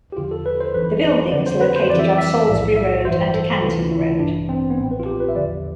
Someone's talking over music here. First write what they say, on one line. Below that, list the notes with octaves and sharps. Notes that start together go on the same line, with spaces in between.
The building is located on Salisbury Road and Canton Road.
G4
E2 D3 F3 F4
A4
B4
C5
G1 F2 E3 B4
C5
F2 D3 F3 D5
C5
B4
C5
F2 E3 D5
E5
D5
E5
B1 A2 F3 E5
E5
G1 G2 E3 C5
A4
D2 C3 E3 F4
E4
A1 G2 E3 D4
C4
B3
A1 A2 F3 C4
B4
F4
G4
B4
E5
E2 D3 F3 D5